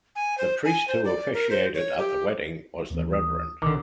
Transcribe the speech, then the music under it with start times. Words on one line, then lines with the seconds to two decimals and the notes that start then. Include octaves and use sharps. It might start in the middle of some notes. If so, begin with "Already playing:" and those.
The priest who officiated at the wedding was the Revd.
0.15 G#5
0.38 C5
0.65 G#5
0.88 C5
1.05 D5
1.34 A#4
1.51 C5
1.74 C#5
1.98 G4
2.90 D#2 E3 B3
3.13 D#6
3.62 B1 D3 D#3 A#5 D6